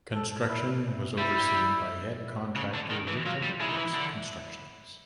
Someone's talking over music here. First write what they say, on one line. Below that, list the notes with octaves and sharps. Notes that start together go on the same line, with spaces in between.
Construction was overseen by head contractor Richard Crookes Constructions.
A4
E4
G3 E4
C#3
D3
D#3
E3
F#3 F4
G3
G#3 E4
D#3
E3
D3